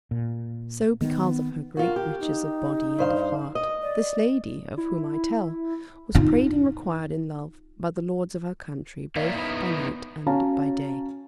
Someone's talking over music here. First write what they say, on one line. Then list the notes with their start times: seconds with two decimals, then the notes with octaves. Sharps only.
So because of her great riches of body and of heart, this lady of whom I tell, was prayed and required in love by the lords of her country, both by night and by day.
0.11 A#2
1.01 D#3 B3
1.77 F4 F#4 A#4
1.96 G4
2.20 D#4
2.99 G2 C5 F5
3.55 D#5
3.82 D5
4.77 E4
6.15 D#4 F4
9.16 A#3 C#5 D5 E5 F5
9.35 B3 D#4 E4
10.27 C#4 F#4 C#5 F5 A5 A#5